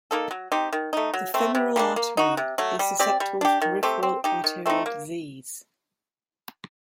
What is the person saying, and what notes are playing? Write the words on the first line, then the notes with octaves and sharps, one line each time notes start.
The femoral artery is susceptible to peripheral arterial disease.
A#3 D#4 A4
F#3
C4 D#4 G4
D#3
A3 D#4
F#3
A3 C4
C3
G3 A#3 D4
A#3
D#4 F#4
C3
F#3 A3
G3
C4 G4 D5
G3
D4 G4
D#3
A3 C4 G4
C4
D#4 G4
D#3
A3 C4 D#4
A#3